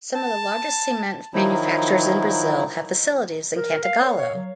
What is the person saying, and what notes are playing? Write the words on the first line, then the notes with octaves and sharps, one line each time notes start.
Some of the largest cement manufacturers in Brazil have facilities in Cantagalo.
A5
D#3 F3 F#3 D#4 E4
A#4
F5
C#5
C#5
F#3